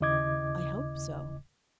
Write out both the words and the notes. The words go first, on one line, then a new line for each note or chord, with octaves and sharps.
"I hope so."
D#2 C#3 E4 D#5 D6 G#6